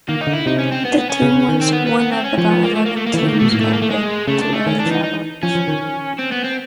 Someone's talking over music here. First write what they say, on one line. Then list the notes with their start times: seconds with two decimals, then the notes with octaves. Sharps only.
The tomb was one of about eleven tombs open to early travelers.
0.08 D#3 A#3
0.21 D#4
0.27 D3
0.33 E4
0.46 C3 D#4
0.59 C#4
0.72 C4
0.85 B3
0.98 B3
1.09 C#4
1.22 C#3
1.35 C#3
1.49 D#3
1.61 C4
1.73 B3
1.86 B3
1.99 B3
2.12 C4
2.24 C#4
2.38 F3 C#4
2.50 B3
2.63 A#3
2.75 A3
2.86 A#3
2.96 A3
3.06 A#3
3.14 E3
3.18 D#3 A3
3.28 D#3 A#3
3.40 B2 A3
3.50 A2 A#3
3.60 A3
3.73 A#3
3.82 A3
3.90 G#3
4.27 C#3 A3
4.41 D4
4.53 A3
4.66 D#3 C#4
4.79 D4
4.86 E3
4.91 D#4
5.04 D#4
5.43 F3 C#4
5.55 F3
5.68 D#3
6.19 C4
6.32 B3
6.44 C4